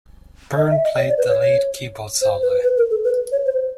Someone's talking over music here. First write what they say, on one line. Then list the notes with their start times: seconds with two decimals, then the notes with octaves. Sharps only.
Byrne played the lead keyboard solo.
0.57 D#5
0.71 E5
0.84 D#5
0.97 C#5
1.09 D5
1.18 B4
1.28 C#5
2.22 C5
2.42 B4
2.63 B4
2.77 A#4
2.91 A4
3.04 B4
3.32 C#5
3.46 C5